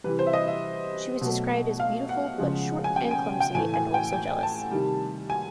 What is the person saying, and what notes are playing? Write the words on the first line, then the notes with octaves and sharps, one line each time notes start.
She was described as beautiful but short and clumsy, and also jealous.
C3 E3 G3 B4
C5
E5
D#5
E5
B2 F#3 A3
F5
F#5
C#3 F3 G#3
G#5
G5
G#5
G5
A2 E3 A3 G#5
G#5
G5
G#5
A5
C3 D#3 G3
G#5